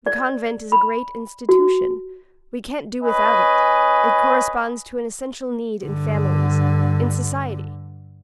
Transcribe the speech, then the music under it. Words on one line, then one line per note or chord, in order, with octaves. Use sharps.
The convent is a great institution; we can't do without it; it corresponds to an essential need in families, in society.
D5
B5
F#4
C#4 B4 D#5 G#5
G2 D3